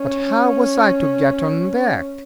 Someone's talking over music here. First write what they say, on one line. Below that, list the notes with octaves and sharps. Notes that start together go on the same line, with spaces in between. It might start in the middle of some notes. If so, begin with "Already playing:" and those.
But how was I to get on deck?
Already playing: C#4